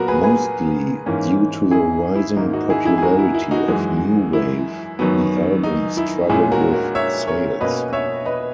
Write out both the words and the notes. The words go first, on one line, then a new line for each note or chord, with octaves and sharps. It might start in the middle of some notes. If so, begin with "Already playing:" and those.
Mostly due to the rising popularity of new wave, the album struggled with sales.
Already playing: A#2 F#3 B3 F#4 A#4
G#4 B4
G#4 B4
G#2 E3 A#3 C#4
E4 G#4
E4
G#2 D#3 A#3 D#4
D#4 F#4
E4 G#4
E4 G#4
G#4
F#4 A#4
E4
E4
D#4 F#4
F#2 E3 G#3
E4
F#2 D#3 F#3 B3
D#4
E4
A#2 G#3 C#4 E4 G#4
F#4 A#4
F#4 A#4
C#5 E5
A#4 C#5
B2 A#3 C#4 B4 D#5
C#5 E5
B4 D#5